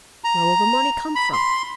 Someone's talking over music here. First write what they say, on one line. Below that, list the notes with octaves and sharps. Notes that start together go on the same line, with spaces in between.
Where will the money come from?
A#5
B5
C6